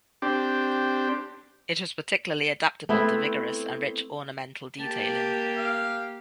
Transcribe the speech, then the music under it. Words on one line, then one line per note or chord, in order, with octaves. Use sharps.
It was particularly adaptable to vigorous and rich ornamental detailing.
C4 D4 G4
A3 B3 C4 E4
A#3 G4 A5
F5